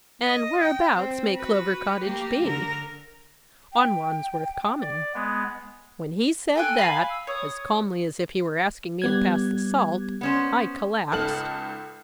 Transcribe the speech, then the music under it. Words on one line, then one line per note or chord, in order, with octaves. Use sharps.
'And whereabouts may Clover Cottage be?' 'On Wandsworth Common.' When he said that, as calmly as if he were asking me to pass the salt, I collapsed.
D#5
G5
C4
F#4 B4
A#3 G4
D3 A#4
G5
D5
G#3 B3
A4 G5 G#5 F#6
F5 B5
E6
C#5 D#6
G3 B3 G#6
B3 C#4 C5
C#2 D#4 A4 F6 F#7